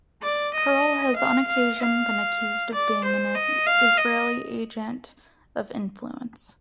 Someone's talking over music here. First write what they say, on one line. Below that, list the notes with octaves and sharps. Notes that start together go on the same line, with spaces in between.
Perle has on occasion been accused of being an Israeli agent of influence.
D5
D#5
F5
F5
F5
D5
C5
D#5
F5
D#5